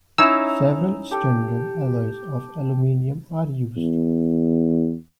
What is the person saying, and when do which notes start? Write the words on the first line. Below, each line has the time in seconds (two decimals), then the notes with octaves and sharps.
Several standard alloys of aluminum are used.
0.18 C#4 D#4 E4 A#5 E6
1.11 G4 A4
3.76 E2